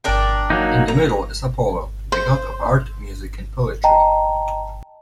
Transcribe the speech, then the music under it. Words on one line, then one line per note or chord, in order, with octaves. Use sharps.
In the middle is Apollo the god of art, music and poetry.
D4 A#4 G5
F#3 A#3 D#4
A#5
C5
D#5 G5 A5 A#5